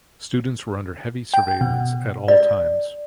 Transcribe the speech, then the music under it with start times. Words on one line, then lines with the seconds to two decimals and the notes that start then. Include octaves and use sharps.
Students were under heavy surveillance at all times.
1.34 G5
1.61 B2
2.28 D5